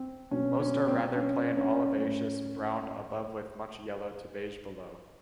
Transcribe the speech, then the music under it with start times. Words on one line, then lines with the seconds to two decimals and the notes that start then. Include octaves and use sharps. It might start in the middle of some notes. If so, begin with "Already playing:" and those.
Most are rather plain olivaceous brown above with much yellow to beige below.
Already playing: C4
0.31 B2 F#3 C#4
0.60 C#4
0.88 C4
1.16 C#4
1.57 C#4
1.98 A2 F#3